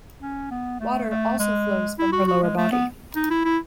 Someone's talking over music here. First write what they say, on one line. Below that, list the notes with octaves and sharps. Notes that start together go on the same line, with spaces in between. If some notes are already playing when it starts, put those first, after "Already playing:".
Water also flows from her lower body.
C#4
B3
A3
A3
G#3
E4
F#4
F#4
G#3
A3
B3
D#4
E4
E4